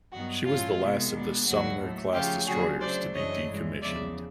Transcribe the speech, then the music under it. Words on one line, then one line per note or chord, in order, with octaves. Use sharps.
She was the last of the "Sumner" class destroyers to be decommissioned.
G2 D#3 F#3 B3 F#4
G2 E3 A3 C#4 F4
C3 D#3 G#3 B3
B2 G#3 B3 D4
D#2 D3 F#3 A#3 F#4
A2 F#3 A3
C#3 F3 A3 C#4 F4 G4
D3 F#3 A#3 F#4 G#4
C#3 F#3 A3 D4 C5 D5
F#2 C#3 E3 A3 D4 C#5 D#5
G2 E3 G#3
E2 C#3 F3 D5 E5